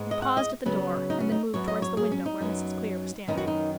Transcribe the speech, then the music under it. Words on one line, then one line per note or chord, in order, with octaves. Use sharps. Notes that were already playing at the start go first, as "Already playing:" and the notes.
They paused at the door, and then moved towards the window where Mrs. Clear was standing.
Already playing: G#2 G#3 B3
D#5
F#5
D#5
C#3 F#3 B3
D#4
C#4
D#4
F#2 F#3 B3 C#5
D#5
C#5
G#4
C#4
D#4
F#2 F#3 B3
F#2 D#3 F#3 B3 D#4
F#4
D#4